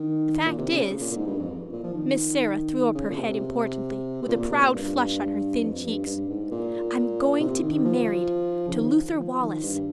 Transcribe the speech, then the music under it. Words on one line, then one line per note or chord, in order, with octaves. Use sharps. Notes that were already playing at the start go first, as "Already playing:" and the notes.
The fact is--" Miss Sarah threw up her head importantly, with a proud flush on her thin cheeks--"I'm going to be married--to Luther Wallace.
Already playing: D#3
A#2
C3
C#3
A#2
A#2
G#2
G2
F2
A#2
F3
D#3
C#3
A#2
C3
C3
A#2
A#2
C3
A#2
G2
F2
G2
G2
G#2
A#2
C3
D#3
F3
C#3
D#3
F3
D#3
G2